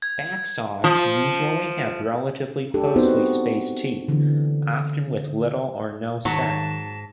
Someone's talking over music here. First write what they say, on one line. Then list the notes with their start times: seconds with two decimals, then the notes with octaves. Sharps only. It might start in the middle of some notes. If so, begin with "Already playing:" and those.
Backsaws usually have relatively closely spaced teeth, often with little or no set.
0.02 G#6
0.84 F3
2.74 D4 G4 A4
2.96 B3 C4 D#4 F#4 C5
4.08 D3 E3
6.25 G#2 D#3 F#3 F#4 C#5 A5